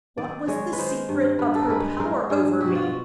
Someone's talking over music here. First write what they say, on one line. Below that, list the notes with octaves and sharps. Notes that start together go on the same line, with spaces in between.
What was the secret of her power over me?
D#3 D5
G#3 C#5
B4
D#3 C5
G2
G2 B4
A4
A#4
G#3 B4
G#3 A#4
G2 G#4
B2 G4
F#4
F4
F#4